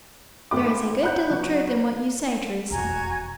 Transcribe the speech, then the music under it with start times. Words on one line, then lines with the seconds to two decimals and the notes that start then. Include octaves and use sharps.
"There is a good deal of truth in what you say, Teresa."
0.51 G#1 A3 B3 C4 B5 D6
1.03 F#5 A#5 B5 F#6 G6
1.30 F#3 B3 F#4
1.74 B4
2.71 E1 F2 F#4 G#5 A#5